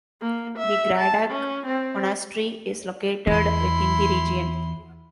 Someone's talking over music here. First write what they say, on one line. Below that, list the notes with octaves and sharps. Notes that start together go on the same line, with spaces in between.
The Gradac Monastery is located within the region.
A#3
E5
A5
C#4
C4
E2 E4 C6